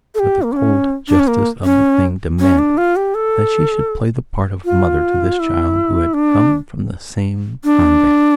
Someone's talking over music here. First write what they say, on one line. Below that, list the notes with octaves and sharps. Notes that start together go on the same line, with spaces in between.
But the cold justice of the thing demanded that she should play the part of mother to this child who had come from the same convent.
A4
G4
A#3
D4
C#4
D4
C#4
A#3
C#4
C#4
D4
F4
G4
A4
F4
E4
D4
D4